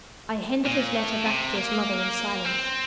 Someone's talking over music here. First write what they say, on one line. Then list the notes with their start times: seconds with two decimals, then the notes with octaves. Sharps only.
I handed his letter back to his mother in silence.
0.66 A#2
0.95 A2
1.25 C3
1.55 A#3
2.45 C4